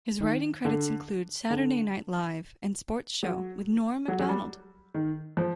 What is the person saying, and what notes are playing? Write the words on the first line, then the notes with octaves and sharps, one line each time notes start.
His writing credits include Saturday Night Live and Sports Show with Norm Macdonald.
D#3
D3
D3
F#3
F#3
F#3
G3
D#3
F3